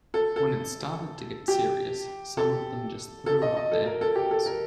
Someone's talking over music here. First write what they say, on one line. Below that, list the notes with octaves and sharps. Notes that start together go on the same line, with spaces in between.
When it started to get serious, some of them just threw up their hands.
A4
A4
G4
A4
A4
D#5
D#5
A4
A#4
A4
G4
A4
A#4